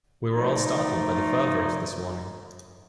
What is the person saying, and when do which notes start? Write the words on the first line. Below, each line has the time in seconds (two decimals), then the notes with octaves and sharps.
We were all startled by the fervour of this warning.
0.34 F3 A3 D#4 D5